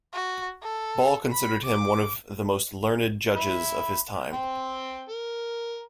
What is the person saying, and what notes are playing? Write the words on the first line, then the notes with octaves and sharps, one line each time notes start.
Ball considered him one of the most learned judges of his time.
F#4
A4
B5
D6
E5 B5
C4 G5
A#4